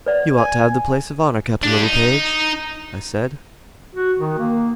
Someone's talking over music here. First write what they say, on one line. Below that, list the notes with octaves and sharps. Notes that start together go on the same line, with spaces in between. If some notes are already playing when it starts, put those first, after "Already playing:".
"You ought to have the place of honor, Captain Littlepage," I said.
B4 D5 F#5
G#5
D4 G4
D#4
F#4
D#3
A#3